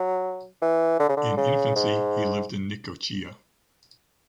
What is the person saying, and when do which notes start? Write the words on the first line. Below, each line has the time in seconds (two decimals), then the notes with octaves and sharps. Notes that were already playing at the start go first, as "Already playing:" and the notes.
In infancy he lived in Necochea.
Already playing: F#3
0.62 E3
1.00 D3
1.09 C#3
1.17 D3
1.37 C#3
1.76 G#2